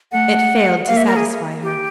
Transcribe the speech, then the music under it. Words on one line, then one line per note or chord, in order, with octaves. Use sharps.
It failed to satisfy her.
A3 F#5
A#3 F5
E5
A#4
G#4
G4